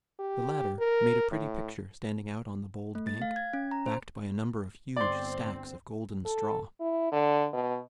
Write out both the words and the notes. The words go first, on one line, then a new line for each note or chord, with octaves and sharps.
The latter made a pretty picture standing out on the bold bank, backed by a number of huge stacks of golden straw.
G4
A#4
A2
A3
A6
F5
G#6
C#4
A#5
C5
G1 C4 D5 C6
A4
E4
D3
B2